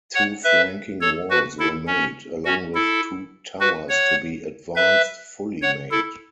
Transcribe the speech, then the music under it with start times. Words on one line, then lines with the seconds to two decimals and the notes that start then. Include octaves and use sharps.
Two flanking walls were made, along with two towers to be advanced fully made.
0.15 C#5 F#5
0.44 B4 E5
1.01 A4 C#5
1.30 F#4 B4
1.60 E4 A4
1.87 C#4
2.45 C#4 F#4
2.75 E4 A4
3.60 F#4 B4
3.89 C#5 F#5
4.76 B4 E5
5.62 C#5 F#5
5.91 E4 A4